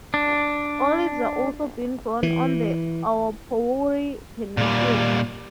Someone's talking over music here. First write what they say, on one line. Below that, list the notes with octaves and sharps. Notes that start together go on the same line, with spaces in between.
Olives are also being grown on the Aupouri Peninsula.
D4
E3
A#2 G3